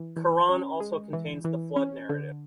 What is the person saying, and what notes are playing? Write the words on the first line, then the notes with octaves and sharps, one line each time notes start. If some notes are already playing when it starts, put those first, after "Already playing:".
Quran also contains the flood narrative.
Already playing: E3
E3
C#4
G#3
E3
E3
C#4
D3